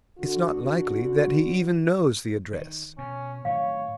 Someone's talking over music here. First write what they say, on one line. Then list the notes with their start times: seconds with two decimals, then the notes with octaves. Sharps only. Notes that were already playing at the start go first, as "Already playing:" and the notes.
'It's not likely that he even knows the address.'
0.19 D3 F#4
2.53 D#3
2.98 B2 C#4
3.45 A2 D#3 F#3 C#5 F5